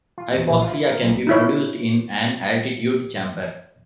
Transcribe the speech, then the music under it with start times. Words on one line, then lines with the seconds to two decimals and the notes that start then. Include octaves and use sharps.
Hypoxia can be produced in an altitude chamber.
0.18 F4
0.34 E2
0.49 A#1
0.62 F4
0.74 E4
0.87 A#4
1.02 B1
1.27 D#4 E4 C#5